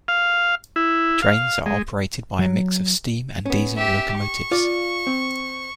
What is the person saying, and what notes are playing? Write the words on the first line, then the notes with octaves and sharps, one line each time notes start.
Trains are operated by a mix of steam and diesel locomotives.
F5
E4
F5
G#3
F#3
B3 C#4
G4 E5
C#6
F4 D5
C4